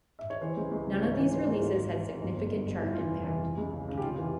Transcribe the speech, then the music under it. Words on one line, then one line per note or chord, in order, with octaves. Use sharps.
None of these releases had significant chart impact.
E5
C#5
E3 C5
C#2
C#2
C#3
G#2 C#5
E3
G#2 C5
G#2
G#1 F4
G#1
E3
G#1
G1 F4
G1
G2
G2
F1 E4
F4
E3 E4
F1
E3
E3
C#2
C#3
C#3
G4
F1 F4
E3